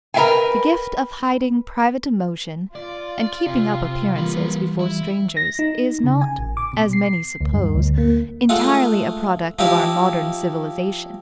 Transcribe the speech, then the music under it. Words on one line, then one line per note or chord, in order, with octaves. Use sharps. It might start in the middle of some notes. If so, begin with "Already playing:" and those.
The gift of hiding private emotion and keeping up appearances before strangers is not, as many suppose, entirely a product of our modern civilization.
A#4 B4 E5 F5 G5 G#5
F4 D5
C3
E3 G3 A#3 B4
E4
A#6
D#4
C#3
G#5
A1
D6
B2
C7
D2
G2
D2
A#3
G#3 A3 F4 F#5
F3 D#4 E4 G4 F5